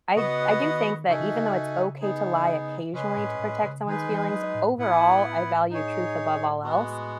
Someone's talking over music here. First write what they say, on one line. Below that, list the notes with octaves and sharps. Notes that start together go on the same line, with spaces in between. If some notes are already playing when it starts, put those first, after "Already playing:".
I I do think that even though it's okay to lie occasionally to protect someone's feelings, overall, I value truth above all else,
C#3 B3 F#4 B4 D#5 F#5
D#3
C#3 D#4 F#4 A4 E5 G#5
D#3
C#3
B3 D#4 G#4
C#3 G#3 C#4 G#4 B4
A2
A2
C#3
D#3 G#3 D#4 G#4 B4
E3
F#3
A2
A2 B3 E4 B4 F#5
D#4 G#4 C#5
G#3 B3 F#4